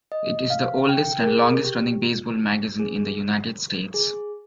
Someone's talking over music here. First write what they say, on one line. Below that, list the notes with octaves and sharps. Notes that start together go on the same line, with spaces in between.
It is the oldest and longest-running baseball magazine in the United States.
D#5
F5
G5
A#4
G#4
G4
G#4
G#4